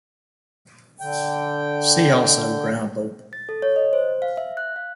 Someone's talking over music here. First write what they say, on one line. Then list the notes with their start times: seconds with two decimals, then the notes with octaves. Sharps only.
See also ground loop.
1.00 D3 G5
3.33 A6
3.49 A4
3.62 C#5
3.76 D#5
3.93 C5
4.22 F5
4.37 E5
4.57 F#6
4.76 F5